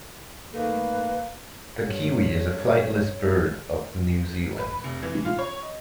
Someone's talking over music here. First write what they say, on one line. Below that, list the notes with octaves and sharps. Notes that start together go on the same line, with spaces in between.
The kiwi is a flightless bird of New Zealand.
G2 D#3 A3 A#3 B4
G2 C#5
B4
F1
E3
F4
C#5
D#5